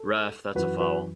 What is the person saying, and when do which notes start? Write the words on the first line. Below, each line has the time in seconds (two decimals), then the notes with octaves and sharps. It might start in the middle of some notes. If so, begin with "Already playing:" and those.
Ref, that's a foul.
Already playing: A4
0.55 F#2 E3 F#4 B4
0.80 F#4 B4